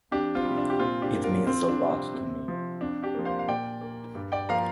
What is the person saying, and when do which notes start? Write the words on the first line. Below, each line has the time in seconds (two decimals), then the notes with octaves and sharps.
It means a lot to me.
0.11 F2 D4 G4
0.35 C4 F4
0.45 C3 G3
0.58 D4
0.70 G4
0.79 A#2 C4 F4
1.02 D4 G4
1.13 A#3
1.24 F4 A#4
1.47 F2 C4 F4
1.69 D4
1.80 C3 G3
1.91 C4
2.14 C3
2.48 F3 C4
2.81 F2 D4
3.03 D4 G4
3.15 F3 A#3
3.25 C5 F5
3.39 F5
3.48 A#2 D5 G5
3.81 A#3
4.15 G2
4.32 D5 G5
4.49 F3 A#3 F5 A#5